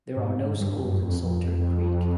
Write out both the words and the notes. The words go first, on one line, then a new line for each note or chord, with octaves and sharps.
There are no schools in Saltern Creek.
G#2
G#2
G2
G2
F#2
F2
F2
F2